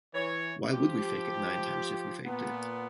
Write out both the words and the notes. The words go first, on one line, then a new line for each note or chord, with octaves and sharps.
Why would we fake it nine times, if we faked it?
E3 C#5
F3 G4
A#2 B3